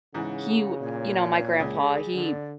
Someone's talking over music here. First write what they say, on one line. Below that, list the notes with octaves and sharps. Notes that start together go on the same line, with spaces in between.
he, w you know, my grandpa, he
G#2 C#3 E3 F#5
A#2 C#5
C#2 G#4
D3 D5